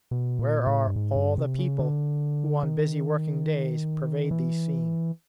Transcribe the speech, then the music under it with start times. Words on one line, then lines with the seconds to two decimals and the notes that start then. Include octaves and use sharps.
Where are all the people who on busy working-days pervade these scenes?
0.11 B2
0.39 A#2
0.67 A2
0.87 G2
0.96 G#2
1.16 G2
1.38 C3
1.59 C#3
1.79 D3
2.63 D#3
4.31 E3